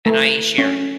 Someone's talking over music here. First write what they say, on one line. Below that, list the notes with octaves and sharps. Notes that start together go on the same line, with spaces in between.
and I ain't sharing."
A3
C#4